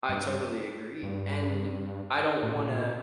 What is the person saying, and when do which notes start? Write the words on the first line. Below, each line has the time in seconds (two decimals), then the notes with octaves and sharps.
I totally agree, and I don't wanna
0.09 G2
1.03 G2
2.43 A2
2.56 A2
2.66 A#2